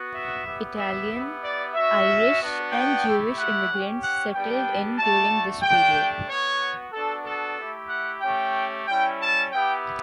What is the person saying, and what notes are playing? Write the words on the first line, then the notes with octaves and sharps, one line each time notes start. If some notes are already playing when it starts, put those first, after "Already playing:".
Italian, Irish and Jewish immigrants settled in during this period.
Already playing: B3 F#4
E5
B3 E4 G4
E5
B3 E4 G4
D5
C#4 F#4 E5
B3 D4 F#4
G5
A3 E4 G4
F#5
C#4 G4
F#5
G3 B3 D4 G4 G5
A3 D4 F#4 A5
A3 D4 G4 G5
B3 F#4 C#5
B3 D4 F#4 A4
A4
A3 E4 G4
F#5
A3 C#4 G4 G5
G3 C#4 E4 G5
A5
B3 E4 G4 G5